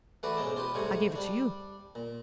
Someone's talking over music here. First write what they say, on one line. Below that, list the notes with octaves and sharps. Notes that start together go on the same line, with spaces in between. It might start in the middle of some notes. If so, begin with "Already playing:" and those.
I gave it to you.
E3 A3 F#4 B4 D5 E5
B1 G#2 C#4 D#4 A5 D6
F4 G4 B4
G#2 C3 G3 A3 G#5 C#6
G3 D4
A#2